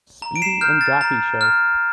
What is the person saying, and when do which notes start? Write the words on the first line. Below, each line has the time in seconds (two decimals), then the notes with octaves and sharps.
Speedy and Daffy Show.
0.22 A#5
0.36 D7
0.42 C7 E7
0.61 F6 G6
0.81 A6
1.01 A#5
1.41 F6